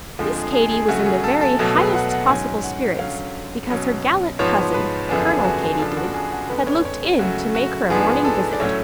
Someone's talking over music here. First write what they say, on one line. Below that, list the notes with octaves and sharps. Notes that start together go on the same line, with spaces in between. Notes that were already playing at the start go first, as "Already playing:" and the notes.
Miss Katy was in the very highest possible spirits, because her gallant cousin, Colonel Katy-did, had looked in to make her a morning visit.
F2 D3 F3 G#3
G#4
G#4
G#4
C#3 F#3 A3 F#4
G#4
A4
A4
B2 F#3 A3 A4
B4
F#5
F#5
G#2 F#3 C#4 G#5
F#5
D3 F#3 C#4 F5
B2 F#3 C#4
G#2 F3 B3 C#5
B4
F#2 D3 F3 B3 D4 G#4
G#4
F#4
G#4
C#3 F3 B3 D4 A4
F#4
G#4
F#4
F2 D3 G#3 B3 B4
C#5
C#5
C#3 F#3 A3 F#4
F#4
G#2 F3 B3 D4 G#4
A4
D5
A2 F#3 A3 C#4 C#5